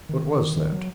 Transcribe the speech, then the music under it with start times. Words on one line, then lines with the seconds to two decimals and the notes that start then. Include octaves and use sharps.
What was that?
0.09 D#3
0.25 D#3
0.41 D#3
0.57 D#3
0.72 F#3